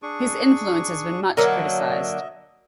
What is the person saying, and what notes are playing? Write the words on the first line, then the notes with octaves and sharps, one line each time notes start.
His influence has been much criticized.
D4 G#4 C#6
D3 F#3 A#3 A#4 D#5 E5